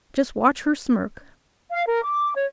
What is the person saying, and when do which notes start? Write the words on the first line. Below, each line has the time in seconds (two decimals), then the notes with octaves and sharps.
Just watch her smirk!
1.70 F5
1.86 A#4
2.03 D6
2.35 C#5